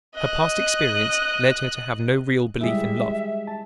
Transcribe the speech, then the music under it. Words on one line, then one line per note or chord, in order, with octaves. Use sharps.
Her past experience led her to have no real belief in love.
D#5 F#6
G3 G#3 E4 E5
A5